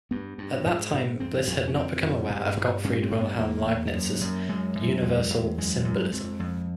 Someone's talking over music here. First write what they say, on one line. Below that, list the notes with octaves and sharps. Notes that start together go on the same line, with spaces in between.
At that time Bliss had not become aware of Gottfried Wilhelm Leibniz's "Universal Symbolism".
G2 B3
G2
G#2
G#2
F2 C4
F2
C#4
F2 C4
F2
G2
G2
G2 C#4
C4
G2
B3
E2 A#3
E2
F#2
F#2
F#2 G#3
F#2
E2 G#3
E2
F#2 G#3
F#2
F2
F2